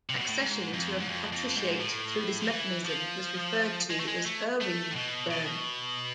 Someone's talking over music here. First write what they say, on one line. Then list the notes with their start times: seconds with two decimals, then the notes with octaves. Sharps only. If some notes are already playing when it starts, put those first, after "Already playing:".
Accession to a patriciate through this mechanism was referred to as erweibern.
0.10 C3
0.19 B2
0.29 A2
0.39 G#2
0.74 F2
1.01 G#2
1.09 F2
1.32 F2
1.56 G#2
1.80 A2
2.41 F3
2.49 E3
2.85 F3
3.90 G#3
4.00 A3
4.08 G#3
4.25 A3
4.61 A3
4.91 A2
4.96 B2
5.30 B2